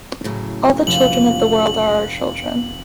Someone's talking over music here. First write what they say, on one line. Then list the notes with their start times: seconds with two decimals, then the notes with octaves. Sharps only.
All the children of the world are our children.
0.24 A2 C#3 F#3
0.87 F1 F#7